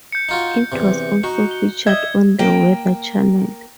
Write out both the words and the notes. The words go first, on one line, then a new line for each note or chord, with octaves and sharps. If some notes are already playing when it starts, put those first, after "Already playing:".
It was also featured on the Weather Channel.
G6 C#7
D#4 F4 F#4
E2 C3
D#4 F#4
G7
D#5 E5 G#6 G7
A#3 G5